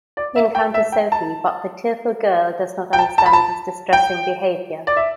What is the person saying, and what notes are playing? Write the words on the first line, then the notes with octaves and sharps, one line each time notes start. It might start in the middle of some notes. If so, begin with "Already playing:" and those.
He encounters Sophie but the tearful girl does not understand his distressing behavior.
D5
E5
G5
E5
G5
A5
G5
A5
A5
B5
A5
G5
D5
E5